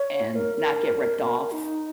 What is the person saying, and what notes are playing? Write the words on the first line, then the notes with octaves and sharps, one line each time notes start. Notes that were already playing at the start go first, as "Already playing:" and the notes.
And not get ripped off.
Already playing: C#5
A#4
D#4